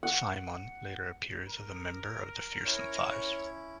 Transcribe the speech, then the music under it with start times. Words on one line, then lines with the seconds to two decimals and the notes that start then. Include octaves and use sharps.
Psimon later appears as a member of the Fearsome Five.
0.03 F#5
1.48 A#4
2.65 C#4 E4 C#5